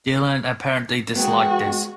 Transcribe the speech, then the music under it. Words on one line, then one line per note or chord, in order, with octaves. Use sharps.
Dylan apparently disliked this.
G#3 B3 F#4 G5